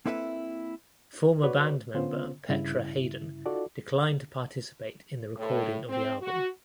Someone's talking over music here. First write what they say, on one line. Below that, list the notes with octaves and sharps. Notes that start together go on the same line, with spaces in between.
Former band member Petra Haden declined to participate in the recording of the album.
A#3 C4 E4 A4 B4 E5
F#4 B4 C#5 D5
D3 B3 C#4 F4 C5
G2 C#3 E4
D#4 F4 F#4 A4 D5
A2
C4
F#4